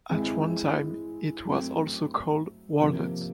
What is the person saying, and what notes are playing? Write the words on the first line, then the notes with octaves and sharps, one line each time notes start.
At one time it was also called Walnut.
E3 G#3 C4 E4
F#3 A3 C4
C3 F3 A#3